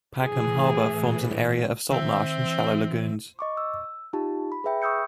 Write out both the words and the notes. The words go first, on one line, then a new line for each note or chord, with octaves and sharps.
Pagham Harbour forms an area of saltmarsh and shallow lagoons.
A2 E3 G#4
D#3 C4 E5
E3
D#5 C#6 D6
E6
D#4 F4 G4 A5
B5
G#4 B4 E5 G5 B5
C#6 D#6 E6 G6 C#7